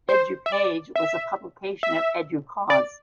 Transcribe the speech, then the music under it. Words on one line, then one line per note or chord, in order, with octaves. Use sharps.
Edupage was a publication of Educause.
C5
E5
D5
E5
E5
D5